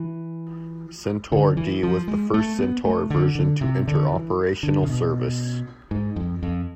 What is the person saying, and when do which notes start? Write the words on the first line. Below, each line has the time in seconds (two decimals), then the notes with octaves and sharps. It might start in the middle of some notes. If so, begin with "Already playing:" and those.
Centaur-D was the first Centaur version to enter operational service.
Already playing: E3
1.32 D3
1.57 E3
1.83 F3
2.08 G#3
2.34 A3
2.59 B3
2.85 A3
3.10 D3
3.35 D3
3.61 C3
3.87 D3
4.12 E3
4.63 D3
4.83 C3
4.89 B2
5.91 G#2
6.16 F2
6.43 F2